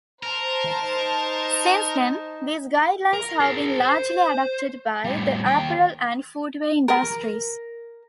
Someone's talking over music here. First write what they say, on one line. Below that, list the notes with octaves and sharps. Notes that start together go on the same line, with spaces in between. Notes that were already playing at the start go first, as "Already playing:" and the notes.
Since then, these guidelines have been largely adopted by the apparel and footwear industries.
A#4 C5 A5 A#5
D#4
A#4
G#4 A#4
C5
A2 G3
D#2 G5
A#4